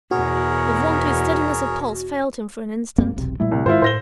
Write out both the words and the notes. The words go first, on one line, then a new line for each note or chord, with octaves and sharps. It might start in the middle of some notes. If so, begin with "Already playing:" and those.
The vaunted steadiness of pulse failed him for an instant.
E2 B2 F#4 G#4 A#4 C#5
F#2 A#3 C4
E1 B1 C3
A#2 G3 A3 E4
C2
G#2 D#3 G#3 E4 F4 C5
A2 C5 A#6 G7